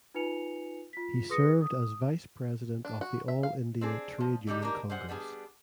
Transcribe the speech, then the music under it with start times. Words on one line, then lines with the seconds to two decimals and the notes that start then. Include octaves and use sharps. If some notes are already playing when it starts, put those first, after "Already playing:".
He served as vice president of the All India Trade Union Congress.
0.14 D#4 F4 B4 G#5 C#7 F7
0.93 F4 B6
1.29 G#4 B4 C6 D#6 A#6 C#7
1.62 D#6
2.85 D4
3.01 F#4
3.28 E5
3.43 F5
3.81 C4 D4 G#4
4.20 F3
4.47 D3 G3 D#4 G4
4.62 A#3 D4 D#4 G4 A#4
4.90 G3 G#3 C5 F#5
5.08 G3 B3 D4 G#4